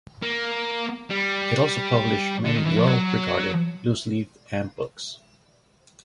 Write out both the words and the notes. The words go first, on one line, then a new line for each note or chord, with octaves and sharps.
It also published many well-regarded looseleafs and books.
A#3
G3
D3
D#3
E3
F3
F#3